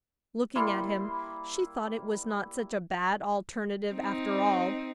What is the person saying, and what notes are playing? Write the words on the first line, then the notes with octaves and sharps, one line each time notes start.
Looking at him, she thought it was not such a bad alternative, after all.
G3 A#3 E4 C6
C4 D#4